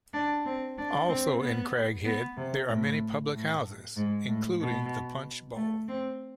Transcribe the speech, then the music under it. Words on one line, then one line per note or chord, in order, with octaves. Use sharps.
Also in Craghead there are many public houses including the Punch Bowl.
D4
C4
D4
C4
B3
B3
C3
A2
A2
G#2
A2
B2
A3
C4